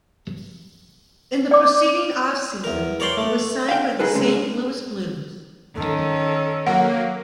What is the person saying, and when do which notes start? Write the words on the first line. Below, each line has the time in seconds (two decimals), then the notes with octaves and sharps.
In the proceeding off season, he was signed by the Saint Louis Blues.
1.51 D5 D6
2.64 E2 A#4
3.00 A#4 C#5 D5 G5 C6
3.17 A3
3.69 F5 G5
3.99 D#4 G#4 A4 B4
4.15 C3 G#3 C#4
5.76 D#3 C#4 A4
6.67 F#3 A#3 F#5